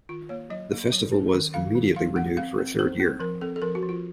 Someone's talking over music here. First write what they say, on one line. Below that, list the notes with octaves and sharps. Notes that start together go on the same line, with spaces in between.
The festival was immediately renewed for a third year.
D#3 F4
A#3 C#5
F#3 D#5
A#3
F#3
C#4
D#3
D#3 F5
D#3
F3 F5
C4 F#5
C4 F5
C4
C4 C5
C4
F3 A#4
C4 A4
A4
F3 A#4
F#4
F3
F4